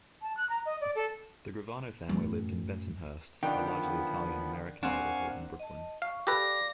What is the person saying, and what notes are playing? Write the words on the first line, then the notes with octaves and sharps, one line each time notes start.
The Gravano family lived in Bensonhurst, a largely Italian American neighborhood in Brooklyn.
A5
F#6
A#5
D#5
D5
A4
F#2 A2
D3 D#3 F3 B3 D4 G5
C4 D4 A#4 C5 F5 F#5 G#5 C#6
D#5 A5
F5 C#6
G4 A4 B4 D5 F5 D6 A#6